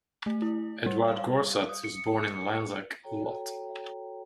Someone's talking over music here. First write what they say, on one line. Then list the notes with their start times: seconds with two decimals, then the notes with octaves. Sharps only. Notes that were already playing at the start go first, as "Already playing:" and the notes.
Edouard Goursat was born in Lanzac, Lot.
0.26 A3
0.42 E4
0.86 G3
1.08 F5
1.69 D#6
1.84 C#7
2.23 C#7
3.04 F#4 A4 C#5 G5 A#5